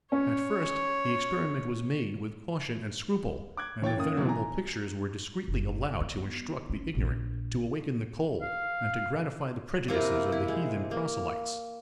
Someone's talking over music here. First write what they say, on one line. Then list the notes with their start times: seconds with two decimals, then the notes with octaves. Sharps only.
At first, the experiment was made with caution and scruple; and the venerable pictures were discreetly allowed to instruct the ignorant, to awaken the cold, and to gratify the prejudices of the heathen proselytes.
0.12 C#4 C#5
3.57 D6 F#6 G#6
3.82 E3 C#5 G5 A6
3.97 F#2 A#3 D#6
4.16 B2 D#3 E3 F#3 C4
4.28 G#5 A#5
5.48 F#1
6.01 B3
6.70 C#4
6.95 A#1
8.41 F5
9.88 C3 A#3 E4 A#4
10.32 E4
10.48 G#3
10.91 A#3